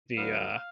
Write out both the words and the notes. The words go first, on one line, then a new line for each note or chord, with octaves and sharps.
the, uh
D2 D3 F#3 B3 D#4 F5